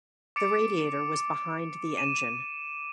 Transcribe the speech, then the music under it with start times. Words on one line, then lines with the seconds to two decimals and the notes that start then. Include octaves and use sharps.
The radiator was behind the engine.
0.36 D6 A6 C#7 D7 F7
1.97 D#7 E7